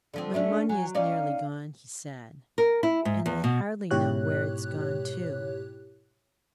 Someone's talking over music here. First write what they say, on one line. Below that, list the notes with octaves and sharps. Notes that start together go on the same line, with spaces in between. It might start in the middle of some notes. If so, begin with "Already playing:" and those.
"My money is nearly gone," he said, "and I hardly know where it's gone to."
D3 F3 C4
A3 C#4 D4 E5
F#3 G#5
C#4 D#4 D5 F5
A#4
E4
G#2
E2
B2
G#2 B2 E4 G4 C#5 F#6